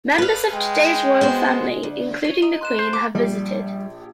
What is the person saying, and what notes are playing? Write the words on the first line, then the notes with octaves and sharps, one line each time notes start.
Members of today's Royal Family, including the Queen, have visited.
B4 F5
G#3 G5
B3 F#4 C5
D2
C#5 D#7
D#5 A#5
C6 F#6 E7
C5
D6
A#1 G3 G4